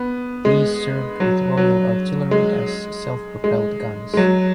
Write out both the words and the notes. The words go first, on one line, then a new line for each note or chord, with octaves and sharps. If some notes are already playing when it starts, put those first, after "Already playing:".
These served with Royal Artillery as self-propelled guns.
Already playing: B3
G#3
F#3
F#3
G#3
G#3
G#3
F#3